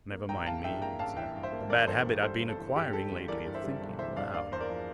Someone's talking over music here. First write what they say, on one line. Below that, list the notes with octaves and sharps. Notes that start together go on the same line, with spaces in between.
Never mind me. It's a bad habit I've been acquiring lately of thinking aloud.
A#3
A1 G5 A#5
E3 F5 A5
G2 E5 G5
A#3 G5 A#5
A1 F5 A5
E3 E5 G5
G2
C5 E5
A#3
A1 A#4 D5
E3 A4 C5
G2
G3 A4 C5
G1
A4
E3
G2 G4
G3 A4
G1
E3 A#4 D5
G2
C5 E5
G3
G1
E3 C5 E5
G2 D5 F5
A#3 D5 F5
E2 C5
A#4 D5
F3